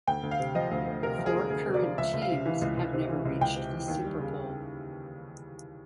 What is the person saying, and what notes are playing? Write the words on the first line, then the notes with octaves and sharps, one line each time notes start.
Four current teams have never reached the Super Bowl.
D2 G5
D2
F5
C3
F3 D#5
D2
D2
C3 A#4
F3
G#4
D2
D2 G#4
C3
D5
F3
C#2 E5
C#2
F5
C3
E3
C#2
C#2
C3
E3
C#2
C#2 G5
C3
E3
D#2
G3
C#3